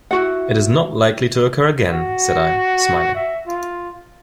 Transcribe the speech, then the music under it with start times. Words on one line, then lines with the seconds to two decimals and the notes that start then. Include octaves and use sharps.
"It is not likely to occur again," said I, smiling.
0.11 E4 F#4 F#5
1.93 F#4
3.15 E5
3.47 F4